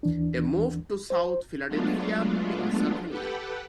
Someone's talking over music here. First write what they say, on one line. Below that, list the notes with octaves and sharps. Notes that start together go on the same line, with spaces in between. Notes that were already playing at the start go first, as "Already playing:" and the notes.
They moved to south Philadelphia, Pennsylvania.
D#2 E3 D4
C5
F#3 G#3 A3 B3 D4 F4
G4 A4 B4 F#5 G5